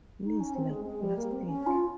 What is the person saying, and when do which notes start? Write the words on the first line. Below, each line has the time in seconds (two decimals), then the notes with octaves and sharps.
Knees like plastic.
0.24 D#4
0.40 C#4
0.55 C4
0.70 G#3
0.85 G#3
1.00 G3
1.16 A#3
1.31 C4
1.46 C#4
1.67 F4